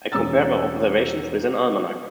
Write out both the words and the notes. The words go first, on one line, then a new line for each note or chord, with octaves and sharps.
I compared my observations with an almanac.
E1 G#3 C#4 A#5 E6 A6